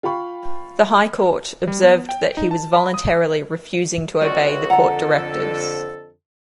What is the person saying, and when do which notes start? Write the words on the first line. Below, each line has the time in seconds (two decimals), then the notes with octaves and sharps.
The High Court observed that he was voluntarily refusing to obey the court directives.
0.03 F4 F5 G5 B5 C#6
1.67 G3
1.83 B3
2.09 G5
2.37 D#4
2.51 A5
2.75 B5
2.94 D#6
4.21 C#2 F#4 G#4 C#5 D5
4.70 F2 D3 A4 F#5 A#5